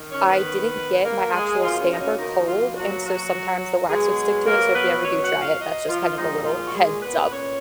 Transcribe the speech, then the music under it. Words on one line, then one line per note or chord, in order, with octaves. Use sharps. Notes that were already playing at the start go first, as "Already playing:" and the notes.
I didn't get my actual stamper cold, and so sometimes the wax would stick to it, so if you ever do try it, that's just, kind of a little heads-up.
Already playing: D#3
C#4 C#5
B3 B4
A#3 A#4
G#3 G#4
B2 F3 A#3 F4
C#4
D#4
C#4
D#3 D#4
F3 F4
F#3 F#4
F#3 F#4
B2 F#3 G#3 B3 G#4
A#3 A#4
B3 B4
C#4 C#5
F#4 F#5
F4 F5
D#4 D#5
F3 F4
A#2 D#3 F3 G#3 D#4
F3 F4
F#4
G#3 G#4
B3 B4
C#4 C#5